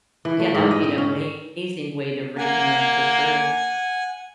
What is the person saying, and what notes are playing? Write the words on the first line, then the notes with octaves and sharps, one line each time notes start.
Yeah, that would be an amazing way to reconnect, for sure.
E3
A3
G#2
D#5
C4
C#4
A#3 F#5 G#5